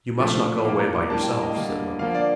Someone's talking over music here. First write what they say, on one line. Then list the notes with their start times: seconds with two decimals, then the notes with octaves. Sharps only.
"You must not go away by yourself," said Lily.
0.19 A#2 F3 A3
0.65 A2 F3 A#3 D6
0.79 A#5
0.95 D6
1.10 A2 G3 A#3 A5
1.21 G5
1.32 A5
1.43 D#5
1.54 D3 G3 A#3
1.99 D3 F3 A#3 F5
2.14 D5